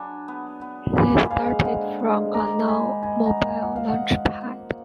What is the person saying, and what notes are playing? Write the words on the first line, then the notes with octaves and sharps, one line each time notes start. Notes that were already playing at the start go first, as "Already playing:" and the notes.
They started from a non-mobile launch pad.
Already playing: F#3 D4 G#5 B5
B3
B3
A#3 G#5 B5
G#2 F5 G#5
D3 D#5 F#5
G#3
D#3 A#5 D6
D#3 G#5 B5
D#4 G#5 B5
F#5 A#5
D#3
G#5
F#5
F3 F5
D#5 F#5
F3
A#3